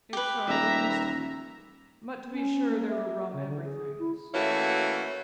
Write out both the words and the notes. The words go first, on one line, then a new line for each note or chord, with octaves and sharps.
If so, rum stomach. But to be sure there were rum everythings.
G4 B4
D#1 E5 A#5
C#4
A#3
E5
C#3
D3
G#4
E4
E3 A3 A#3 C#4 E4 F#4